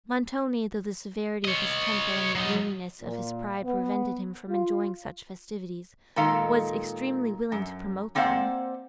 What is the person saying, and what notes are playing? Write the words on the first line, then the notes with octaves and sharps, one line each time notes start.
Montoni, though the severity of his temper and the gloominess of his pride prevented him from enjoying such festivities, was extremely willing to promote them.
C#5 D#5
F#3 D#4
A#2
B3
F4
A#2 D#3 G#3 A4 F5 A#5
F#2
A#3 C4 C5 D5 F5 F#5